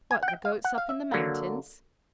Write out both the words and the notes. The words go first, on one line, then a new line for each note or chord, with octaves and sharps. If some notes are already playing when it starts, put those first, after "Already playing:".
"What, the goats up in the mountains?"
G#5
F#5
G5
F5
F#5
F5
E5
D3 F#3 A#3